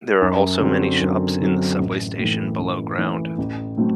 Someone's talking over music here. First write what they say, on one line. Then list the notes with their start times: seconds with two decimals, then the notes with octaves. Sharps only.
There are also many shops in the subway station below ground.
0.21 F#2
0.60 D3 F#3 C4
1.00 F#2
1.40 D3 F#3 C4
1.80 A1
2.19 A2 E3
2.59 A1
2.98 A2 E3
3.38 A1
3.77 A2 F#3 A3 C4